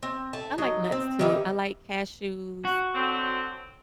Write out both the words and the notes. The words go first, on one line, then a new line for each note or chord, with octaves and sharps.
I like nuts, too. I like cashews
C4
A3 A5
F#3 D#4
C4
D#3 E3 G3
F#4
D3 F#3 C4